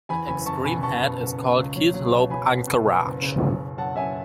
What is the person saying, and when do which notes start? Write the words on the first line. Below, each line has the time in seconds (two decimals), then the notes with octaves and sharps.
The extreme head is called Kitlope Anchorage.
0.09 E2 G#5 B5
0.27 F#1 G#5 B5
0.46 F#1 A5 C#6
0.65 B2 G#5 B5
0.82 B2 A5 C#6
1.01 B2
1.20 F#1
1.39 B2
1.57 C#2
1.76 F#3
1.94 F#3
2.12 B2
2.30 F#3 G#5 B5
2.49 B2
2.67 B2
2.86 B2
3.04 F#1
3.22 C#3
3.41 F#1
3.60 F#1
3.78 F#2 F#5 A5
3.96 F#2 E5 G#5